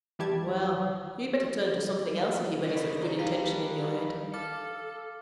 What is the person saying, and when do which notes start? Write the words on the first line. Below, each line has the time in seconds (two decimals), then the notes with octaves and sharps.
'Well! you'd better turn to something else, if you've any such good intention in your head.
0.19 E2 E3 G3 G4 A5 G#6
2.65 C#3 D4 A4 A#4 D#5 B6
3.02 G#4 B4 C5 D5 A#5
3.19 G3 D4 D#4 G4 F5
4.34 A4 F5 D6 F6 A6